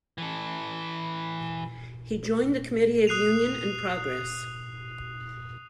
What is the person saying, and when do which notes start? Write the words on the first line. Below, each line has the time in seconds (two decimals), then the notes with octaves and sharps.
He joined the Committee of Union and Progress.
0.18 E3 A4
3.07 D#6 F#6 C7 D#7 F7